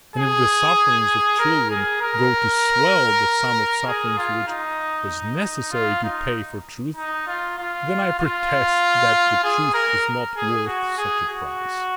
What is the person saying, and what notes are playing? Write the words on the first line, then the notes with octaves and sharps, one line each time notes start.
And if the sufferings of children go to swell the sum of sufferings which was necessary to pay for truth, then I protest that the truth is not worth such a price.
G#4
A#4
G#4
A#4
G#4
F4
D#4
F4
D#4
D#4
F4
F4
F4
G#4
A#4
G#4
F#4
G#4
F#4